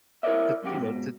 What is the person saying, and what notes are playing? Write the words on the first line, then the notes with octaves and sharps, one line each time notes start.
to, you know, to
E4 A#4 B4 C#5 D5 E5
C2 F#2 C#3 F#4 G4
G#2 B2